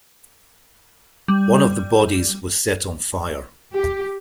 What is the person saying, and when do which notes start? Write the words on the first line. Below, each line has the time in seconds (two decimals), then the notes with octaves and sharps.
One of the bodies was set on fire.
1.28 G3
3.74 G4